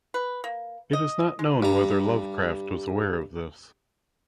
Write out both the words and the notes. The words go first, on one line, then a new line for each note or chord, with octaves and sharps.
It is not known whether Lovecraft was aware of this.
B4
A#3
D#5
G#3
G2 A#5